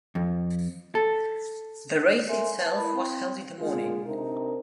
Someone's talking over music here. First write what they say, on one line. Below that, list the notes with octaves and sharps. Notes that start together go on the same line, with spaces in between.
The race itself was held in the morning.
F2
A4
A4 A#4 D5 E5 G#5 C6
B4 A5
E4 A#4 B5
C4 G5 C6
D3 G#3 A#3 F4 G#4
C3 C4 D4 D#4 A#4